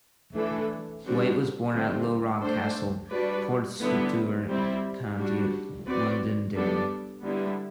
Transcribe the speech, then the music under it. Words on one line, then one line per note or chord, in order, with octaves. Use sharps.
White was born at Low Rock Castle, Portstewart, County Londonderry.
E3 A3 D4 A4
D3 G3 C4 F#4
D3 G3 C4
A3 D4 A4 C5
G3 D4 F#4 B4 D5
D3 G3 B3 E4
G3 C4 E4
G3 D4 F#4
C4 F#4 B4 D5
G3 B3 D4 A4 D5
D3 G3 B3 E4